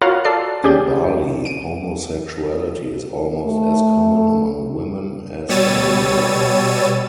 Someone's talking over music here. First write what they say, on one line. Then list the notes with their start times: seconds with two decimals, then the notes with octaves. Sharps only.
In Bali, homosexuality is almost as common among women as among men.
0.01 F4 F#4 A#4 C#5 F5 F#5
0.25 A4 D5 C7
0.64 C#4 G4 G#4 D5 G6
1.45 D7 D#7
3.42 A3
5.49 B2 G3 C#5 E6 A6 D#7